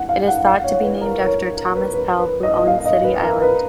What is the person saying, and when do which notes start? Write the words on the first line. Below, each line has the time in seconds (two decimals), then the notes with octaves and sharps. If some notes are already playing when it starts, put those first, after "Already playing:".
It is thought to be named after Thomas Pell who owned City Island.
Already playing: F#5
0.09 F5
0.27 F#5
0.45 F5
0.64 C#5
0.83 B4
1.01 A#4
1.19 C#5
1.38 A#4
1.57 A#4
1.75 B4
1.94 B4
2.19 B4
2.43 D#5
2.57 D#5
2.67 F5
2.86 D#5
3.04 B4
3.23 A#4
3.42 B4